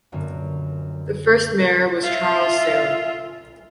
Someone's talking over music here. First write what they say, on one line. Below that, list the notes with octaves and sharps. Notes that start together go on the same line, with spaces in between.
The first Mayor was Charles Salem.
F#2 A#2 D3 F#3 B3
F4 E5